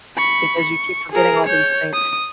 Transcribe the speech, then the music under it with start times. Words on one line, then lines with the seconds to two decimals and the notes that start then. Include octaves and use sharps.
Because you keep forgetting all these things.
0.17 B5 C#6
0.59 C#6
1.12 G#4 A#4
1.46 C#5 G6
1.94 D#6